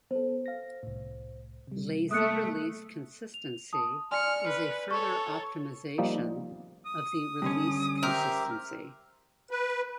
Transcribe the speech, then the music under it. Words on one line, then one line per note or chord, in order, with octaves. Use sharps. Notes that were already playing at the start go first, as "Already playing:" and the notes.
Lazy Release Consistency is a further optimization of the Release Consistency.
B3 A4 C5
F5 A#6
C2 A2
C3 G3
A3 D#6 F#6 C#7
F7
A5 D#6
D5 G#5 C6 F6 C#7
B4
A4 C#5 C#6
F3 G3 A#3 D#4
D#6
G2 D3 C#4
G4 A#4 C5 E5
B4